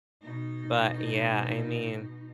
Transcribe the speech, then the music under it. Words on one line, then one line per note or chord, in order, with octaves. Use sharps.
but yeah, I mean,
B2 D#4